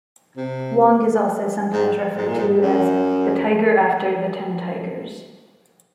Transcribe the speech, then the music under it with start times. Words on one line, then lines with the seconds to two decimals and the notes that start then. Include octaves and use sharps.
Wong is also sometimes referred to as the "Tiger after the Ten Tigers".
0.37 C3
1.72 G#2
2.17 G#2
2.27 A#2
2.38 G#2
2.62 F#2